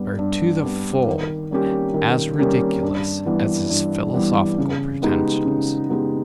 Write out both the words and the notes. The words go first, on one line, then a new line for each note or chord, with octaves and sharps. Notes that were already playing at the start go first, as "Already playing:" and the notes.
They were to the full as ridiculous as his philosophical pretensions.
Already playing: G2 G3 B3
G2
G3 B3
D#3
G3 A#3 C#4 G4
D#3
G3 A#3 C#4 G4
G2
E3 G3 B3
G2
E3 G3 B3
C#3
G#3 B3 D#4 G4
C#3
G#3 B3 D#4 G4